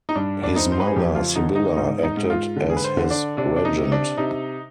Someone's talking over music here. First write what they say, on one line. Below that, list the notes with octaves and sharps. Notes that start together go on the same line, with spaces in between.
His mother Sibylla acted as his regent.
D#4
G2 D4
D4
C4 D#4
C5
B4
G#4
F2 G4
F4
D3 D#4
D#4
G#2 D#4
D#4
G#2
F4
D3
G#4
B4
C5
D3
D4
C3 D4
D4
D#4
C3
D4
C3 D#4